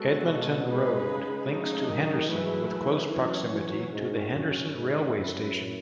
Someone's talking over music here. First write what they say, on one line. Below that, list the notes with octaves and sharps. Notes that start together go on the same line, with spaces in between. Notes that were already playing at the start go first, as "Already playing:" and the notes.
Edmonton Road: links to Henderson with close proximity to the Henderson Railway Station.
Already playing: G#3 B3 F#4 A4
B2
G#3 D#4 G#4 B4
C#3
F#3 A3 D#4
D#3
E3 F#3 A3 E4 G#4 B4
E3
E3 F#3 C#4 F#4 C#5
E3
G#2 A3 C#4 F#4
F#2
G#2 A3 E4 B4
F#2